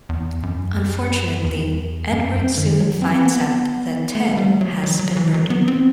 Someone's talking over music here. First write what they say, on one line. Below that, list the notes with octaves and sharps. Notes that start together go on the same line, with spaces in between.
Unfortunately, Edward soon finds out that Ted has been murdered.
E2
F#2
E2
F#2
F#2
D#3
F#3
C4
B3
A3
A3
G3
F#3
F#3
F#3
E3
F#3
B3
C4